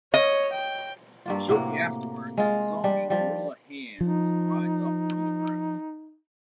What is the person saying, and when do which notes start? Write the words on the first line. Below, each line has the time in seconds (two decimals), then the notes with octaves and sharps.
Shortly afterwards, zombie gorilla hands rise up from the ground.
0.14 C#5 D#5
0.53 G5
1.26 G2 A#3 F4
1.49 A2 C3 A#3 F#4
2.37 G#3 F4
2.84 G3 D4
3.10 F3 G3
4.01 F3 D#4